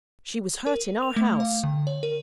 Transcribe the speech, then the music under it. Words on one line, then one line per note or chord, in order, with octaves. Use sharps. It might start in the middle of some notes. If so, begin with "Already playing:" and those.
She was hurt in our house.
A#4
F7
A3
F5
D3
C#5
A#4